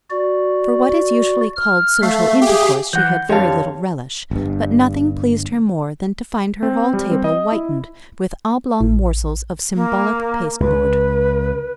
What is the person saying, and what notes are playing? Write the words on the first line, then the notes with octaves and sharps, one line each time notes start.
For what is usually called social intercourse she had very little relish; but nothing pleased her more than to find her hall-table whitened with oblong morsels of symbolic pasteboard.
F#4 D5
F6
A3 E5 F5
G4 G#4
E3 F#5 G6
F2 D3 G4 C#5 F5 A5
G1 G2
C4
G3
C4
D#5
E4
A1
A#3
C#2 C#3 B4